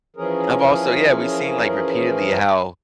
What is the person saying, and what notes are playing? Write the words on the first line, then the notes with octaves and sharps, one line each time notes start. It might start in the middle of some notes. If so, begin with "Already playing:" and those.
I've also yeah, we've seen, like, repeatedly how
E3 F3 C#4 G#4 A#4